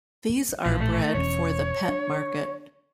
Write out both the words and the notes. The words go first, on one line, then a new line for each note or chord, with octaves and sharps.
These are bred for the pet market.
A#1 A2 F3
A3
E1 E2 C#4 C#5
D4